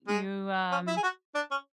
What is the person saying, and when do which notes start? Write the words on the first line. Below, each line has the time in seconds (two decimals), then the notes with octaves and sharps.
"You" um,
0.08 G#3
0.72 C#4
0.87 E4
0.97 G#4
1.03 F#4
1.35 D4
1.51 C#4